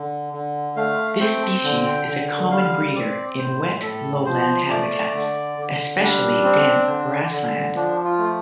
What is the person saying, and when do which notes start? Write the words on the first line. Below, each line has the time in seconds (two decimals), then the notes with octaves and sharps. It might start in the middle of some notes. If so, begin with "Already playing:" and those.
This species is a common breeder in wet lowland habitats, especially damp grassland.
Already playing: D3
0.33 D3
0.77 A3 F5
1.20 C4 G5
1.64 D3
2.07 D3
2.51 G3 F5
2.95 C4 D5
3.39 A2 C5
3.82 A2 A4
4.26 F3 C5
4.70 A3 D5
5.14 D3
5.58 D3
6.01 G3 D4
6.45 C4
6.88 D3
7.32 D3
7.75 F3 D4
8.04 F4
8.19 A3